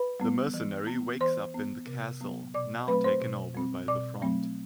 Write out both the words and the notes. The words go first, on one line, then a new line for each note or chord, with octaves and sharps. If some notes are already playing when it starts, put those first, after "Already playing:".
The mercenary wakes up in the castle, now taken over by the Front.
Already playing: B4 B5
G3 B3
E3
B3
E3 C5 C6
B3
C3
F#3 B3
B2 D5 D6
F#3 A3 C4 B4 B5
C5 C6
B2
G3 C4
B2 D5 D6
F#3 A3 C4